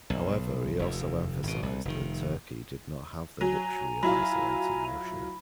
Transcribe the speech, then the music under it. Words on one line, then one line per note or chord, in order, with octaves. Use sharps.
However, he also emphasised that Turkey did not have the luxury of isolating Russia.
B1
F1 D#2
G#1 B2
C2
F1 D#3
F#3 G#5 A#5
F#3 E4 F4 B5